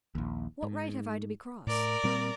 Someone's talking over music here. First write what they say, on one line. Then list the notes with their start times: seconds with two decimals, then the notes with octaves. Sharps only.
"What right have I to be cross?"
0.15 A#1 D#2
0.63 G#2
1.67 A2 A#4 D5
2.04 A#2 G3 C4